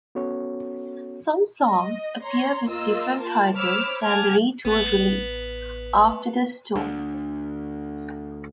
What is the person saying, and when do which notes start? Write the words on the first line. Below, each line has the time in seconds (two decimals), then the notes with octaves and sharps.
Some songs appear with different titles than the re-tooled release, "After the Storm".
0.15 B3 C#4 F#4 A4 C#5
1.70 D#5
2.23 C#5 A#5 C6
2.69 A#3 F4 D#5 E6
3.20 F4 A#4 A5
3.56 C5 C#5 B5 D6 E6 F6
4.02 F#5 G#5 A5 D6 F6 G#6
4.65 A1 B3
6.76 D2 D3